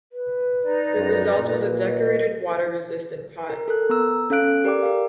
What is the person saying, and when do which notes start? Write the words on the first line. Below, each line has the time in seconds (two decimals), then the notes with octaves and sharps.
The result was a decorated water resistant pot.
0.12 B4
0.62 D#4 D5
0.97 F#2
1.37 A#2
1.87 D#5
3.50 A#4
3.68 A4 A#4 F#6
3.89 B3 A#5 E6
4.30 C#4 A4 F5 F#6 D7
4.64 G4 A#4 D5 G5 D6
4.83 A#4 F5